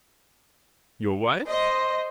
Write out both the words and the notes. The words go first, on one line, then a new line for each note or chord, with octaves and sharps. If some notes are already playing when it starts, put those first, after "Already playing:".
"Your wife?"
C5 D#5